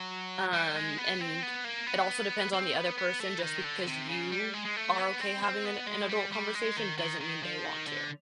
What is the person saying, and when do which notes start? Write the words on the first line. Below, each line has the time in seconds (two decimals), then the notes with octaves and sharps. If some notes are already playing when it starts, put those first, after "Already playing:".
Um, and it also depends on the other person just because you are okay having an an adult conversation doesn't mean they want to.
Already playing: F#3
0.53 G3
0.76 G#3
0.98 B3
1.21 C4
1.43 B3
1.64 A#3
1.87 B3
2.54 C4
2.76 B3
2.98 B3
3.20 A3
3.39 E3
3.42 D#3
3.64 D3
3.88 C3
4.09 C#3
4.32 G3
4.54 G#3
4.65 G#3
4.77 A3
4.99 B3
5.20 C4
5.42 C4
5.66 B3
5.87 G#3
6.09 G3
6.32 G3
6.54 G#3
6.77 D#3
6.98 D#3
7.20 D#3
7.43 F3
7.65 D#3
7.87 D3